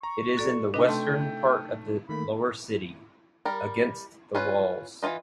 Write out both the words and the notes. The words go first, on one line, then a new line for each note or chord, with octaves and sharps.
It is in the western part of the lower city, against the walls.
A#5 C#6
F#4 A4 D5
C3 D4 D#4 B4 D#5
A3 G5 A5 C6
D#3 A3 A#3 B5
G3 A#4
C#4 F4 B4
E3 F3 F4 D#5